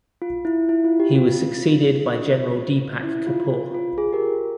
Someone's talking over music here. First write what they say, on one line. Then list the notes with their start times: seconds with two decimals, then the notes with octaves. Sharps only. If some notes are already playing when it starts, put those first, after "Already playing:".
He was succeeded by General Deepak Kapoor.
0.22 F4
0.45 E4
0.69 E4
0.84 F4
1.00 G4
1.15 F4
3.03 E4
3.27 F4
3.50 F4
3.75 F4
3.98 G#4
4.13 G4 A#4